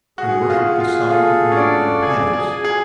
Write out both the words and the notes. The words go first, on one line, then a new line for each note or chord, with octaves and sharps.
They worshipped the sun, moon, and planets.
F#4 G#4
F4
G#4
F4
F4 A4
C#4
D4 D5
G#4 G#5
G#4
G#5
G#4